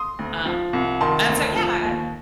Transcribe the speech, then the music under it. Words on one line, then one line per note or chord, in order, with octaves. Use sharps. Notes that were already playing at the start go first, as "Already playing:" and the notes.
Um, and so, yeah, ah,
Already playing: C6 D#6
D2
F3
C2
D#3 A5 C6
D2
F3
D#2